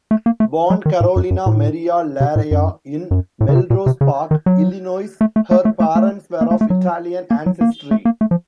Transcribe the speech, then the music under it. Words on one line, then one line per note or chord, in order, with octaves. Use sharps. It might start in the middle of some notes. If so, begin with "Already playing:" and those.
Born Carolina Maria Laraia in Melrose Park, Illinois, her parents were of Italian ancestry.
A3
A#3
A3
F#3
D#3
A2
F#2
F#2
A2
C3
A2
F#2
F#2
A2
C#3
C3
A#2
C3
C#3
D#3
F#3
A3
A3
A3
A3
A3
A3
A#3
A3
A3
F#3
A#3
F#3
A#3
A3
A#3
A3
F3